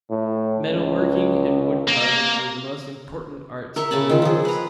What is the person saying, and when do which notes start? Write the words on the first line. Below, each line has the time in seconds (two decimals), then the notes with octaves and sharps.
Metal-working and wood-carving were the most important arts of the Norse.
0.10 A2
0.69 C#2
1.88 A#3
3.76 A#4 E5 C#6
3.91 C#3 G#5 A5 B5
4.10 D#3 F4
4.22 F3 G#4
4.45 B4 A#5